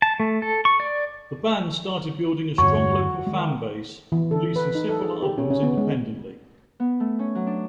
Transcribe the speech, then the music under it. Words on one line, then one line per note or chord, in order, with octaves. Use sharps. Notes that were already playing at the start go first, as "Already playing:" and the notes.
The band started building a strong local fanbase, releasing several albums independently.
A5
A3
A4
C#6
D5
E2 G2 D3 F#4 C#5 C#6
D#3 G#3
E3
A4
B4
D#4
A4
G#4
G4
C#4
C#4
B3
G#3
B3
A3
C#4
F#3
D4